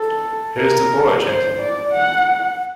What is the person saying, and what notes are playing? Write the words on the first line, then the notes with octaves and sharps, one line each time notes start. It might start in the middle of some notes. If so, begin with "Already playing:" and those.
Here's the boy, gentlemen!
Already playing: A4
A#4
C5
D5
F#5